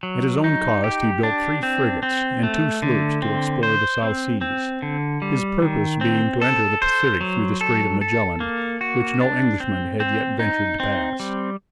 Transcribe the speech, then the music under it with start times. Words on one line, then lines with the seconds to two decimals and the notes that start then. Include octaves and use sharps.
At his own cost he built three frigates and two sloops to explore the South Seas, his purpose being to enter the Pacific through the Strait of Magellan, which no Englishman had yet ventured to pass.
0.03 F#3
0.44 D#4
0.84 G4
1.23 D4
1.63 C4
2.03 C4
2.43 A3
2.82 D3
3.22 C4
3.63 C5
4.03 C4
4.41 C4
4.82 D3
5.22 G3
5.62 D#3
6.01 C4
6.42 A4
6.82 C5
7.21 F#3
7.61 A4
8.01 A4
8.40 A#3
8.81 F#4
9.21 D4
9.60 C4
10.00 C4
10.39 D#4
10.80 C4
11.20 G3